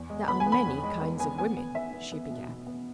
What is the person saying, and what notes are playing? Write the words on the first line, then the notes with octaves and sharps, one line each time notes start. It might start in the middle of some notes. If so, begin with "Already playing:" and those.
"There are many kinds of women," she began.
Already playing: E2
G#3
B3 B5
G#5
B3
B5
E2
G#3
B3
B3 G#5
B3 G#5
B3
B3 E5
B3
B3
B2
B2
B3